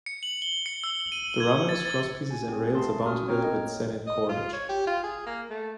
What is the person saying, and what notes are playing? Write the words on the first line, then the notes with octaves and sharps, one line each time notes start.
The runners, crosspieces, and rails are bound together with sennit cordage.
C#7
F#7
G7
C#7
E6
D#7
G#6
A6
A6
G#5
C4 G#4
A3 G#4 F5 A5 C6 A6
C#4 F#4 C#6 D#6 F6
A#3 C4 C#5 G5 A#5 F6
D#5
D#5
F4
C#5
G4
F4
G#4
A#3
A3